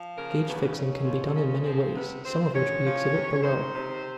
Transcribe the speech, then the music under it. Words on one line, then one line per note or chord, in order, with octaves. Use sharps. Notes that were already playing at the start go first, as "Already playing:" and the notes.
Gauge fixing can be done in many ways, some of which we exhibit below.
Already playing: F3
C#3 A#3 A#4
D#2 B3 B4
D#2 C#4 C#5
F3
C#3
F3 C4 C5
C3 B3 B4
D2 C4 C5
D2 C#4 C#5
F3
C3
D#3 C4 C5
C3